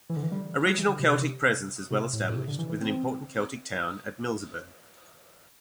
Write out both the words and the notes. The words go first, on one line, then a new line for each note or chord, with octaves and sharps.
A regional Celtic presence is well established, with an important Celtic town at Milseburg.
E3
D3
E3
G3
G3
E3
D3
C3
C3
A2
A2
C3
D3
E3
E3
C4